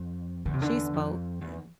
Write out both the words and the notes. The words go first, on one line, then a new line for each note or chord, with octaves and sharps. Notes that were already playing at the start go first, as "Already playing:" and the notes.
she spoke and
Already playing: F2
E2 D3
C3
D3
F2
E2